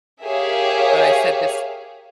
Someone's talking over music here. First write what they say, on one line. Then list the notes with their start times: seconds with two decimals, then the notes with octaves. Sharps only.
But I said this
0.25 G4 G#4 A#4 C#5 E5 F5